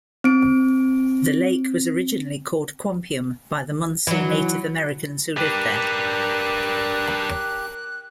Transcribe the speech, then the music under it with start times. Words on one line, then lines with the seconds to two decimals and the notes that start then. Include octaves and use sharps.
The lake was originally called "Quampium" by the Munsee Native Americans who lived there.
0.24 C4 D7
4.07 E3 F#3
5.37 D4 G4 A#4 B4 F#6